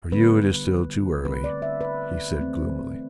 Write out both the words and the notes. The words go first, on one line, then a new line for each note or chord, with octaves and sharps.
"For you it is still too early," he said gloomily.
D3 G3 B3 B4
D3 A3 C4 B4
D5
E5
B4
E3 A3 C4